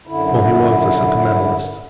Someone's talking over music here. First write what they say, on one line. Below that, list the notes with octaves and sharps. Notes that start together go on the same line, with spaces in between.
Well, he was a sentimentalist.
F#2 D3 E4